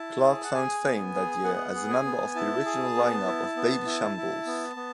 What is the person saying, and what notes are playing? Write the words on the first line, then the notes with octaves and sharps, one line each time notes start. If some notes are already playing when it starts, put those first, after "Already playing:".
Clarke found fame that year as a member of the original line-up of Babyshambles.
Already playing: E4 A5
G#4
F#5
G#4 G#5
B3
G#4
B3 F#5
G#4
G#5
B3
E4 A5
G#4
B3
E4
B3
E4
E4
B3
B3